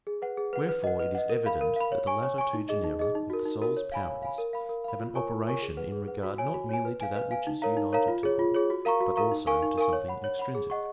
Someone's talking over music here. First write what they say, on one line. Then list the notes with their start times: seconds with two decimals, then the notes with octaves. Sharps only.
Wherefore it is evident that the latter two genera of the soul's powers have an operation in regard not merely to that which is united to them, but also to something extrinsic.
0.07 G#4
0.22 B4 F#5
0.37 G#4
0.53 B4 F#5
0.69 B4
0.84 D#5 F#5
0.99 B4
1.15 D#5 F#5
1.30 A#4
1.46 F5 B5
1.61 A#4
1.76 F5 B5
1.92 C#5
2.07 G#5 C#6
2.23 C#5
2.38 G#5 C#6
2.53 D#4
2.69 G#4 D#5
2.84 D#4
2.99 G#4 D#5
3.15 D#4
3.30 F#4 A#4
3.45 D#4
3.62 F#4 A#4
3.77 C#5
3.92 F5 G#5 B5
4.07 C#5
4.23 F5 G#5 B5
4.38 A#4
4.53 F5 B5
4.69 A#4
4.84 F5 B5
5.00 F4
5.15 A#4 C#5 G#5 C#6
5.31 F4
5.46 A#4 C#5 G#5 C#6
5.62 G#4
5.77 B4 F#5
5.92 G#4
6.08 B4 F#5
6.23 F#4
6.38 C#5 G#5
6.54 F#4
6.69 C#5 G#5
6.85 B4
7.00 F5 G#5
7.15 B4
7.31 F5 G#5
7.47 D#4
7.62 A#4 C#5 F5 A#5
7.77 D#4
7.93 A#4 C#5 F5 A#5
8.08 F4
8.23 G#4 C#5
8.39 F4
8.54 G#4 C#5
8.70 F#4
8.85 A#4 F5 A#5 C#6
9.01 F#4
9.16 A#4 F5 A#5 C#6
9.32 D#4
9.47 A#4 F5 G#5 C#6
9.62 D#4
9.78 A#4 F5 G#5 C#6
9.93 C#5
10.08 F#5 B5
10.24 C#5
10.39 F#5 B5
10.55 G#4
10.70 D#5 F#5 C#6